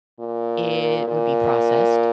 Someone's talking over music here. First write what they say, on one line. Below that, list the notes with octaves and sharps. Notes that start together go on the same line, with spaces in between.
it would be processed,
A#2
A#2